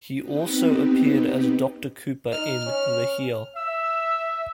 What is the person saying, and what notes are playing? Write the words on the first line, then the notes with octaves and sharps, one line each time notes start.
He also appeared as "Doctor Cooper" in the here!
B3 C4 D#4 G4 B4
D#4 F6
C#4
E5 E6